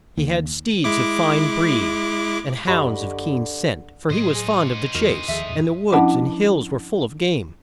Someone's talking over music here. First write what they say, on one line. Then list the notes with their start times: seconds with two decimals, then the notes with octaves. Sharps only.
He had steeds of fine breed, and hounds of keen scent, for he was fond of the chase, and the woods and hills were full of game.
0.17 D#2
0.84 G#3 E4 D6
2.68 F#2 D3 G4 D#5 B5
4.10 A2 F#3 C5 D#5
4.35 G#4
4.59 D4
4.95 E2 D#4 F#4 A#4
5.28 D#2 F3 G#4 A4 E5
5.49 F2 A#2
5.92 F3 C#4 D4 E4 F#5 A5